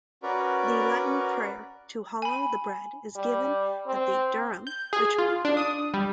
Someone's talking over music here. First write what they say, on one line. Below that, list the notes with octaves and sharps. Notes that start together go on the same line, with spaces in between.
The Latin prayer to hallow the bread is given in the Durham Ritual.
C#4 F#4 A#4 B4 D5
G#5 B5
G3
C4
G6
G#4
F4
D4
D#6
G3